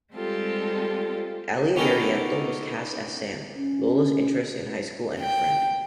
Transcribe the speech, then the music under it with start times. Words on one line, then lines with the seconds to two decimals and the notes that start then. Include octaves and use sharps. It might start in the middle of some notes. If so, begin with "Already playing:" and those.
Eli Marienthal was cast as Sam, Lola's interest in high school and her friend.
0.12 G3 G#3 C4 F4 G4 A4
1.76 B3 C#4 D#4 G4 A4 A#4
3.54 C#4
5.20 G5